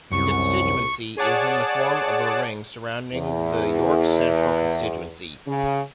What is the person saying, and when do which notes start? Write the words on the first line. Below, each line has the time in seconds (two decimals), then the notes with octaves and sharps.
The constituency is in the form of a ring surrounding the York Central constituency.
0.12 C2 F#2 C#6
1.17 G#4 C#5 D5 F#5 A5
3.13 E2
5.47 C#3